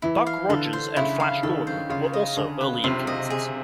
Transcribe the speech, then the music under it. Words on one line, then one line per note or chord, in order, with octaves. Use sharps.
Buck Rogers and Flash Gordon were also early influences.
E3 E4
F5
D3 A4
C5
C#3 E4
F5
D#3 A4
C5
C#3 F4
D#5
D3 G#4
B4
C3 F4
D#5
G#4